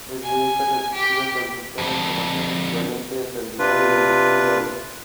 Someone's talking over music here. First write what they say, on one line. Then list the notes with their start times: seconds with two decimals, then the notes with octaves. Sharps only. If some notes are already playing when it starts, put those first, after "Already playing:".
Marine and General Insurance Brokers was the first insurance brokering firm in Ghana.
0.22 G#5
0.93 G4
1.78 F2 D3
3.59 C3 D4 F4 B4